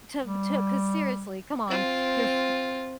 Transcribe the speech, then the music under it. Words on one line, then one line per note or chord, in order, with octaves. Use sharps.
to to 'cause seriously, come on, you're f
G3
C4 F4